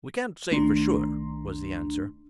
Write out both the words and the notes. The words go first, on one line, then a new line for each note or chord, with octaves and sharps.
"We can't say for sure," was the answer.
C2 D#3 A3 D4 A#5 C6